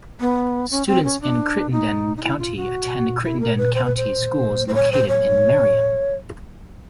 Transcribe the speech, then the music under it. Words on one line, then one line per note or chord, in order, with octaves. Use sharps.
Students in Crittenden County attend Crittenden County Schools located in Marion.
B3
C#4
C4
C#4
D4
D#4
D#4
E4
F4
F#4
E4
A#4
B4
C5
B4
C5
C5
C#5
C5
C#5